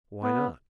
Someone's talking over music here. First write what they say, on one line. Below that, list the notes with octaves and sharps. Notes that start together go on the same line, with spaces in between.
"Why not?"
B3